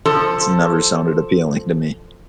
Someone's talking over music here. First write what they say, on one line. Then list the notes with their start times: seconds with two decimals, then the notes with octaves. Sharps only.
It's never sounded appealing to me.
0.06 F3 A4